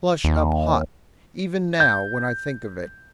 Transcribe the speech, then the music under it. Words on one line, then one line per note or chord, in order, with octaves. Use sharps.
I flush up hot, even now, when I think of it.
D#2
G6